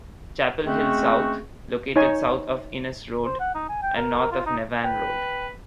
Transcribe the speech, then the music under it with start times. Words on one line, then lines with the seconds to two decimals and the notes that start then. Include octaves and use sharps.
Chapel Hill South: Located south of Innes Road, and north of Navan Road.
0.64 G#3 A3 C4 C#4 F#4
1.96 D#4 C#5 G#5
3.25 C5
3.40 F#5
3.55 D#4
3.69 G#5
3.82 G5
3.96 A#4
4.19 A#4
4.32 F4
4.46 D#4
4.84 B4 G5